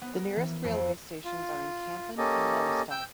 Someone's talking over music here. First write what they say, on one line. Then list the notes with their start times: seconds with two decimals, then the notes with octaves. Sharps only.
The nearest railway stations are in Kampen and Lelystad.
0.02 B3
0.17 A#4
0.36 E3
0.64 F2
1.25 F4
2.18 A#3 C#4 G4 A4 D#5
2.91 G5 E6 G6